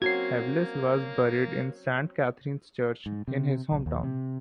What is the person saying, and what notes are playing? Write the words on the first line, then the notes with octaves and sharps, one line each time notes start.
Hevelius was buried in Saint Catherine's Church in his hometown.
F#3 A#3 C4 C#4 F#4 G#6 C7
G#2
C3
B1
D#2
C3